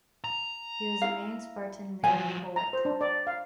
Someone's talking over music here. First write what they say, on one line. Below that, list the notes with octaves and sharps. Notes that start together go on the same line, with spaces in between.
He was the main Spartan lyric poet.
A#5
E4 F5
F3 F#3 G#5
A#5
C5
D4
D5
F5